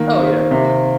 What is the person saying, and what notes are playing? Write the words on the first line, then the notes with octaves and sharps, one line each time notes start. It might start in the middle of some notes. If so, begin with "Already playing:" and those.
Oh, yeah.
Already playing: D#3 A#3
C4
C3